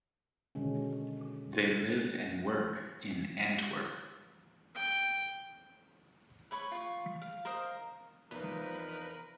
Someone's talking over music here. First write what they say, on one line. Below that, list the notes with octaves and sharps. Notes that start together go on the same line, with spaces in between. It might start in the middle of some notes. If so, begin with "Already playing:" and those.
They live and work in Antwerp.
B2 D3 D#3 G#3 C#4
G5
B4 C#5 B5 C#6
F4 C#6
F5
A#4 C5 D#5 F5
E2 C3 F3 D#4 A#4 B4